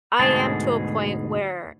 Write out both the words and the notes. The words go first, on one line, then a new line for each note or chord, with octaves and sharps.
I am to a point where
D2 G#2 B2 G#4 A5